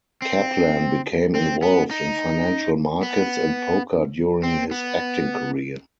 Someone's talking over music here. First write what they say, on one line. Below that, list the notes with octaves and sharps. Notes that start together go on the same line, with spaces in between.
Kaplan became involved in financial markets and poker during his acting career.
C4
C4
B3
D#4
B3
C4
B3